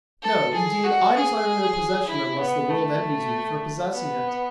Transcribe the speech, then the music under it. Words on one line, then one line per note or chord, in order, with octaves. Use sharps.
No, indeed I desire no possession unless the world envies me for possessing it.
A4
G#4
F#4
G#4
E4
B3
A3
B3